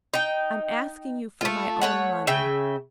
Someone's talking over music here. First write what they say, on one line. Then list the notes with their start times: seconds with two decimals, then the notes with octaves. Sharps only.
'I'm asking you for my own money.
0.14 D#4 G5
1.41 A3 F4
1.82 A3 C#5 F#5
2.27 C#3 E5 G5